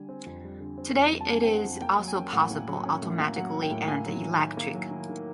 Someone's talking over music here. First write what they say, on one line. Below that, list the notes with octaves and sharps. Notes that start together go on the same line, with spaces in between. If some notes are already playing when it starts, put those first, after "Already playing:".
Today it is also possible automatically and electric.
Already playing: D3 G3 G#5
C4
F2
G3
D3
C4
F2
G3
A5
D3 G#5
C4 G5
F#5
F2
A#3 G5
F#3
G#5
C#4
A2 F#5
A#3
F#3
C#4
A2
A#3
F#3 F#5
C#4
G5
A2
A#3 G#5
F#3
D#3
D#3
A#3
F#3
D#3
D#3